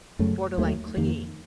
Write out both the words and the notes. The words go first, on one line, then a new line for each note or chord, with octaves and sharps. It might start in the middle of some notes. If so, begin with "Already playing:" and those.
borderline clingy?
F#2 C#3 A3 C#4
D#2 D#3 F#3 A3
F2 D#3 A#3